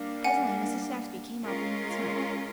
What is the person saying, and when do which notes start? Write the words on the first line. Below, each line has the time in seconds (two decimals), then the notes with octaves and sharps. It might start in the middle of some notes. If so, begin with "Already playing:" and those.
Presently Mrs. Saxby came up, looking concerned.
Already playing: G3 A#3 D4
0.24 F#5 G#5
1.45 G#3 C#4 F4 A#4